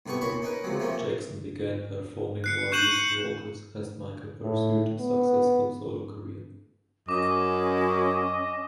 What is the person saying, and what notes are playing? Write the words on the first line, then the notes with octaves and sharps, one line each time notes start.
Jackson began performing more lead vocals as Michael pursued a successful solo career.
G2 C3 A3 B3 C#6
D#2 A#2 C#4 B5 C#6
C#4 D#4 A#4 B4
C#2 C3 F3 F#3
C3 F3 A3 A#3 C#4
F#6 C7 C#7
C#6 F#6 G6 D#7 E7 F#7
C#7
A2
B3
F#2 C#4 D#5 D6